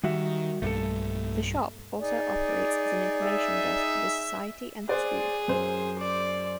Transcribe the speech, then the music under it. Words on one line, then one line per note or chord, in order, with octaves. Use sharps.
The shop also operates as an information desk for the Society and the School.
D#3 G3 F#4 E5
B1 G2 G3 A3 A#3 A4
D#4 G#4 D5
E5
G#4 C5 D5 F#6
F#2 C5
D5